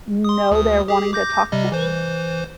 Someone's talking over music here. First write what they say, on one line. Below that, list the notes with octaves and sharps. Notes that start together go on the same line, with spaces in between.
know they're wanting to talk to me
C6 D#6
D2 D#6
G4 G#4
D6 G6 A#6
C3 G3 D#5
E3 C5